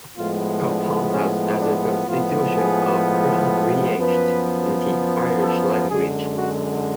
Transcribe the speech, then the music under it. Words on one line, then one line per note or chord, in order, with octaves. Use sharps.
Comhaltas has a constitution or "Bunreacht" in the Irish language.
A2 F3 G#3 B3 F4
D4
C#4
D4
A2 F3 G#3 B3 F4
G#4
F#2 F3 B3 B4
A4
F#2 D3 G#3 G#4
F#4